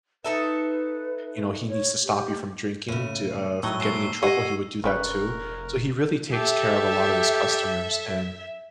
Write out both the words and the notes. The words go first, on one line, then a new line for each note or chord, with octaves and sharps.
you know, he needs to stop you from drinking to, uh, from getting in trouble, he would do that too. So he really takes care of a lot of his customers and,
D#4 A4 B4 E5
C#5
G4
A2 C#3 D#7
A2 F#3 D#4 A#4 E6 G7
G#3 A#3 C#6 C7 G7
G4 D#5 F#5 G#5 E6 C7 D#7
F1 C#3 G4 A#4 B4 C#6 F#6
G4 A4 E5